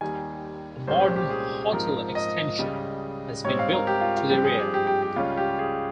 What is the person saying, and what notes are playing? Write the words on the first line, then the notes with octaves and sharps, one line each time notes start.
A modern hotel extension has been built to the rear.
D#2 D#3 G3 G#5
C2 A#2 G#3 C#4 C5
G4
G4
G#4
G#2 F3 C4 A#4
D#5
C#2 C#3 G3
G#2 G3 C4 C#5
F5
A#4
G4
F4
F4
G2 F3 C4 G4
G#4
G4
G4
G4
G4
C#2 C#3 G3 C#4 F4
G4
G#4